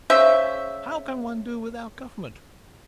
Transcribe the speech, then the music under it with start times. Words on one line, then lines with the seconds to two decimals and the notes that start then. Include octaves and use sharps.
How can one do without government?
0.10 C#3 C5 E5